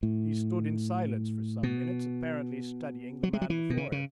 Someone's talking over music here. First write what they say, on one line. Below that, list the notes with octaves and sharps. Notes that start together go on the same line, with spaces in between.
He stood in silence for some minutes, apparently studying the man before him.
A2
B2
F#3
G#3
F#3
E3
B2
C#3
C#3